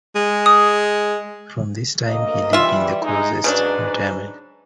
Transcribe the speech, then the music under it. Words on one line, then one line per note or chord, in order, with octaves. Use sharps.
From this time he lived in the closest retirement.
G#3
D#6
D2 A#3 D#5
E3 G3 F4 E5
G#3 D#4
G#2 C#3 F#3 D4 B4